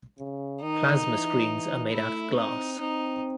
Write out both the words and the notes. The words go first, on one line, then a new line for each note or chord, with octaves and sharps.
Plasma screens are made out of glass.
C#3
D#3 D#4
E3
A3 E4
C4 D#4
C4 D#4